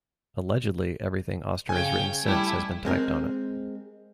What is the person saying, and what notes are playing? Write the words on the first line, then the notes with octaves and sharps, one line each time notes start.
Allegedly, everything Auster has written since has been typed on it.
C#3 C#4 G5 G#5
G3 A3 E4
G#3 C4 A#4